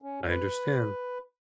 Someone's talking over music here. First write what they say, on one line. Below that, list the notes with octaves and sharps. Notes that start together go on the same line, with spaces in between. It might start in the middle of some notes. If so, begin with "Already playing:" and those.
I understand.
C#4
B4